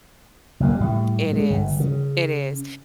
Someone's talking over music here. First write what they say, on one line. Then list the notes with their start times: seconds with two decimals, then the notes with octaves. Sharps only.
It is, it is,
0.60 F#1 F2 A#3
0.76 A2 G3
1.33 G#3
1.50 G1
1.80 C#3